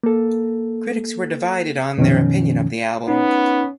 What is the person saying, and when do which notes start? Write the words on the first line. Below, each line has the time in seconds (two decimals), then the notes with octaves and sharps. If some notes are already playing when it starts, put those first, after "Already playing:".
Critics were divided on their opinion of the album.
0.04 A#3 A4
1.98 F#2 B2 D#3 F3 C#4
3.08 B3 C#4 D#4